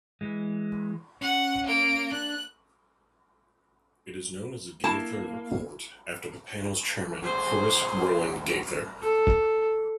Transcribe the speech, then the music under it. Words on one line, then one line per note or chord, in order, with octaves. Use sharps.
It is known as the Gaither Report after the panel's chairman Horace Rowan Gaither.
E3 G#3
C#4 F#5
A#3 D7
D4 F#6
A#3 E4 A5
G#4 C5
A4